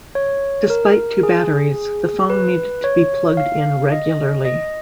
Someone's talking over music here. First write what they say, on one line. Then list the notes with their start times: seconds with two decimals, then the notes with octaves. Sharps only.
Despite two batteries, the phone needed to be plugged in regularly.
0.15 C#5
0.70 A#4
1.23 G#4
2.30 B4
2.84 C#5
3.37 F5
3.92 D#5
4.45 D#5